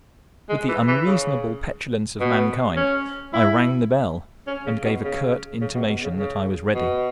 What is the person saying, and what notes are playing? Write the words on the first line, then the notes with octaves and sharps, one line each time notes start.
With the unreasonable petulance of mankind I rang the bell and gave a curt intimation that I was ready.
G#3
E3
E3
C#3
B2
C#4
E4
C#4
C#3
B2
C#3
C#3
B2
B2
C#3
C#3
B2